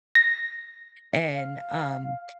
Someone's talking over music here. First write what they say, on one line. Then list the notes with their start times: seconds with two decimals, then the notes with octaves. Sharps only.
and, um,
0.15 A#6
1.33 F5